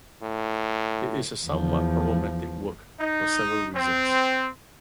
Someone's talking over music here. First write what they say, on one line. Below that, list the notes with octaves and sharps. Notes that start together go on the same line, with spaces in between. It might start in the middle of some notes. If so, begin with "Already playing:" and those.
It is a somewhat problematic work for several reasons.
A2
E2 F3
D#4
C4